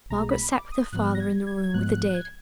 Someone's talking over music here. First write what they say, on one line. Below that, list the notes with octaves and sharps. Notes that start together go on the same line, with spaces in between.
Margaret sate with her father in the room with the dead.
B1 B2 G#3 A#5
B5
D6
D#6
G#2 F3 B3 F#6
A#6
G#6
G#6
G#6
G#2 F3 G#3 B3 F#6
F#6
F#6
G#6